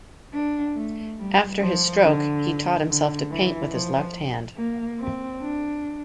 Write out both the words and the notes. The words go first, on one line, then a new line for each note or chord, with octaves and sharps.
After his stroke, he taught himself to paint with his left hand.
D4
A3
G3
F3
D3
D3
E3
F3
A#3
C4
D4